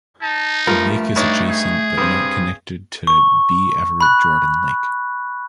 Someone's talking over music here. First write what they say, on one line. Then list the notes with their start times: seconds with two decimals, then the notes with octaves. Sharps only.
The lake is adjacent but not connected to B. Everett Jordan Lake.
0.22 D#4 A5
0.67 G2 F3 A3 A#4
1.16 G2 D4 D#4 C#5
1.49 G#4
1.98 G2 C4 D#6
3.07 C#6
4.01 B5 F#6